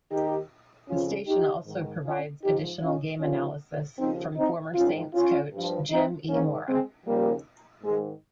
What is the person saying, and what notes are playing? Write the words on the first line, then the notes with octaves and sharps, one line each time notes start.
The station also provides additional game analysis from former Saints coach Jim E. Mora.
D#2 D#3 D#4 G4
F2 C#3 F3 C#4 F4
D#4 G4
G#2 D#3
C#4 F4
G#2 F3 D#4 G4
C#4 F4
D#2 C#3 F3 C#4 F4
D#2 C#3 F3 C4 D#4
C4 D#4
G#2 D#3 C#4 F4
C#4 F4
G2
F3
C4 D#4
G#2 D#3 A#3 C#4
G#3 C4
D#2 C#3 F3 G3 A#3
G#2 D#3 G#3